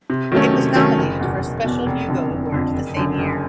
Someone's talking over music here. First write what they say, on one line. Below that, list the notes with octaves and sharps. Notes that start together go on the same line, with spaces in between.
It was nominated for a special Hugo Award that same year.
C3
D#3 F#3 A3 C#4
C3
D#3 F#3 A3 C#4
F#1
E2 B2
F#1
E2 B2
F1
F2 D3
F1
F2 D3
F#1
F#2 D3
F#1